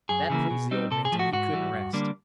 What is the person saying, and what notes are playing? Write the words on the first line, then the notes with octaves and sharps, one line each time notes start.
That pleased the old man till he couldn't rest.
F#2 G#4
C#3 E3 G3 A#3
B2
G3 C4 D#4
C3 A4
G#4
F3 A3
F#4
G#2 F#4
E3 G3
G2
D3 G3 A#3 D4